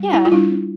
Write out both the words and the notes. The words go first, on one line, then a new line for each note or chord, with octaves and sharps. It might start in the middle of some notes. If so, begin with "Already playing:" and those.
Yeah, y
Already playing: G3
E4
F4
G3 D4 E4